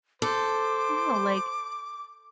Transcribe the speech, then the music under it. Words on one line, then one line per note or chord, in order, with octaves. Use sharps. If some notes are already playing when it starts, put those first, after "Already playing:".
I don't know. Like,
A4 C5 D6